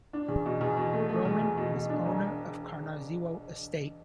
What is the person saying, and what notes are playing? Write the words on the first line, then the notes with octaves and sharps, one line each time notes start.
Roman was owner of Konarzewo estate.
D4
E2
B2
E2
B2
A3
A3
E2
E2
B2
B2
D4
E1